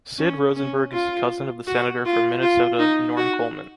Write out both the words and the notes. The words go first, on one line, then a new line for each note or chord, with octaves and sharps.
Sid Rosenberg is the cousin of the senator from Minnesota Norm Coleman.
C#4
C#4
F4
F#4
F4
F4
D#4
F#4